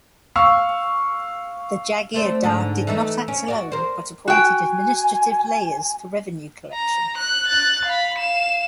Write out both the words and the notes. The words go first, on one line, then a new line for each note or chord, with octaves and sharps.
The "jagirdar" did not act alone, but appointed administrative layers for revenue collection.
F5 C#6 E6
A3 C4 D4
G#2 D3 D4
E3 A3 D#4
C#4
F#4 D5
A#4 C5
F#4 G5 G#5
A#5
F#6
F#6 A6
F5 B5
F5 E7